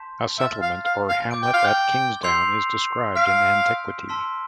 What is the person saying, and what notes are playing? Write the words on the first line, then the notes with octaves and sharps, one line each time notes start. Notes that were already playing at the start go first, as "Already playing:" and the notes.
A settlement or hamlet at Kingsdown is described in antiquity.
Already playing: A5 C6 G6 B6 E7
E5 F6 A6 E7
F5
F5
F5
D6 G6 D7
G5
F5
G5
C6 E6 G6 C7 F7
F5 F6 B6 D7
A5 C6 E6 B6